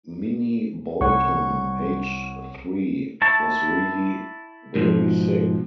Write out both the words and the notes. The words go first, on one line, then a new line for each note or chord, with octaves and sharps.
Minnie Bolton, aged three, was really very sick.
C2 C#5 F#5 C#6
E4 A5 C#6
G#2 B2 F3